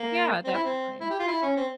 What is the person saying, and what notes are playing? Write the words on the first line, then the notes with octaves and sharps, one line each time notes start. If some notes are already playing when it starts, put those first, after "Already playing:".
Yeah, definitely.
Already playing: A#3
C4
E4
C4
E4
G4
F4
E4
C#4
C4